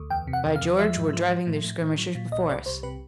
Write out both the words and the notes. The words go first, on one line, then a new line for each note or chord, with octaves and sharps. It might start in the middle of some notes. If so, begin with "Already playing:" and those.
By George, we're driving their skirmishers before us!
Already playing: D2
E2 G5
C3
F#5
E2
F5
E2
F3 E5
G#2
F3
F3
A2
A2
A2
F#3
A#2
C2 D#5
C2 D5
C2 C5
C3 B4